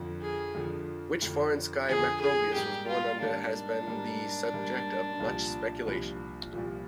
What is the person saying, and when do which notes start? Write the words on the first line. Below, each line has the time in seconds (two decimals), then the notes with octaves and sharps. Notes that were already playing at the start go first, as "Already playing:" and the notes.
Which "foreign sky" Macrobius was born under has been the subject of much speculation.
Already playing: F2 D3 F3
0.22 G#4
0.55 F2 D3 F3
1.22 F2 D3 F3
1.88 F2 D3 F3 G#4
2.21 G#4
2.54 G#2 G3 A#3 G4
2.87 F4
3.20 G#2 G3 A#3 D4
3.87 G#2 G3 A#3
4.53 G#2 G3 A#3
5.20 C2 A#2 F3
5.86 C2 A#2 F3
6.53 C2 A#2 F3